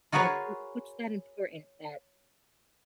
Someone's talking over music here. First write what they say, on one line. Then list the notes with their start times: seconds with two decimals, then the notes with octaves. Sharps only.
Like, wh what's that important that
0.12 F4 F#4 G#4 A#4 B4 C#5